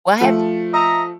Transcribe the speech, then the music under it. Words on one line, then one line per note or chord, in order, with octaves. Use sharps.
Well, have y
F3 A3
D#5 E5 A#5